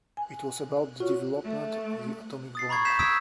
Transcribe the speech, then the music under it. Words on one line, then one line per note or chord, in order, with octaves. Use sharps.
It was about the development of the atomic bomb.
G#5
F4 F#4 C#5
A3
D#6 A6 C7
A#5 B5 C#6 G#6 C7
G6 B6 C7 E7
D#6 E6 G#6 B6 D7